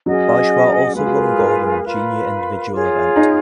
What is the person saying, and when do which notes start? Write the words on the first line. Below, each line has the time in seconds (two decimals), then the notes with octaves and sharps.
Bajwa also won gold in the junior individual event.
0.06 F#3 C#4 G#4 D#5 F#5
0.95 G#3 F4 G#4 B4 F5
1.06 F#4
1.17 A#4
1.39 A#4
1.83 F4 B4 F5 B5
2.72 F4 G#4 C#5
3.16 D#4